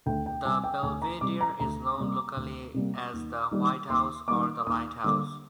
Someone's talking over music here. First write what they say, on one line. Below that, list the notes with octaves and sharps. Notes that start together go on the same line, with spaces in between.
The Belvedere is known locally as the "White House" or the "Light House".
D2 G5
G5
C3 G3 G#5
G5
D2 G#5
A#5
C3 G3 D6
A#5
D2 A#5
C3 G3 A#3
D2
C3 G3 A#3
D#2
D#3 G3 A#3
D#2 C6
D#3 G3 A#3 D6
D#2 D#6
D3 G3 A#3